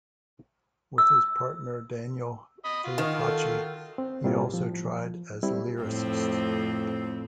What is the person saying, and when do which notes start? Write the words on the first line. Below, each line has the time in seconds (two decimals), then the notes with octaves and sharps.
With his partner Daniel Filipacchi, he also tried as lyricist.
0.98 E6
2.65 D#5 B5 D#6
2.84 F4 F#4
2.98 D#3
3.20 A4
3.98 C4
4.24 A2 G3 A#3 C4 E4 F4
4.54 F3
5.43 G3 C4 E4
5.82 F2 A2 C4